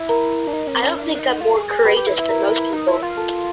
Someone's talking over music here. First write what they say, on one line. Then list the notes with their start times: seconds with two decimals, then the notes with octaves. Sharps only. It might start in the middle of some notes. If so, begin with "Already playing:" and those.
I don't think I'm more courageous than most people.
Already playing: E4
0.09 A#4 A#5
0.47 D4
0.53 D#4
0.67 C#4
0.74 C4
0.83 C#4
0.97 D4
1.15 D4
1.19 D#4
1.41 F4
1.56 G#4
1.70 G#4
1.84 G4 B4 B5
1.96 G4
2.07 E4
2.18 E4
2.29 A#4 A#5
2.73 D#4
2.88 E4
3.02 F4
3.17 A4 A5